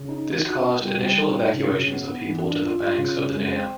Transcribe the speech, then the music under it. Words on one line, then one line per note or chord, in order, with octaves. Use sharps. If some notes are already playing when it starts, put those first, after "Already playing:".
This caused initial evacuations of people to the banks of the dam.
Already playing: C#3
D#4
D#4
F#4
B3
G3
G3
D#4
D#4
C#3
C#3
B3
B3
E3
D4
F4
F4
C#3
C#3
G#3
C4